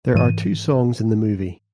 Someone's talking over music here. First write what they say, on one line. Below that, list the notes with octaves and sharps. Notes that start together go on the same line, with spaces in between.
There are two songs in the movie.
G#2 E3 D#7